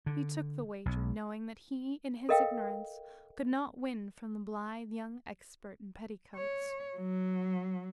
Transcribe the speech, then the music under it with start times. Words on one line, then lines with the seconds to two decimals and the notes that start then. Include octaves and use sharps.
He took the wager, knowing that he, in his ignorance, could not win from the blithe young expert in petticoats.
0.06 D3
0.86 B1
2.29 A4 A#4 D#5 F5 G5
6.36 C#5
6.96 F#3